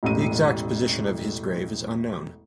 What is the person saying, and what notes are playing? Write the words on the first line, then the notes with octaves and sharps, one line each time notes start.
The exact position of his grave is unknown.
E1 A1 A2 D#7